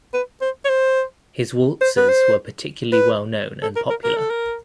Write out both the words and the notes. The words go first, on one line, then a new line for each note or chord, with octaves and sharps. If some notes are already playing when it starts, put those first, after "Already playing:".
His waltzes were particularly well known and popular.
B4
C5
C#5
C5
C5
B4
C5
B4
A4
A#4
A#4
A#4
A4
A#4